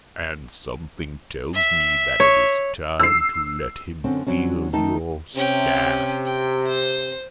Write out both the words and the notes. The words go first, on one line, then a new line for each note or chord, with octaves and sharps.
"And something tells me that it is time to let him feel your staff."
E5
C#5
E6 C7
F#2 D3 C4 C#4
D3 F#3 C4 C#4
D#3 A3 D#4 A5
C3 C#4 G5
G5
C5